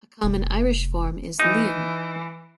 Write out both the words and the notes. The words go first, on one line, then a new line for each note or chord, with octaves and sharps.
A common Irish form is "Liam".
F1
E3 D#4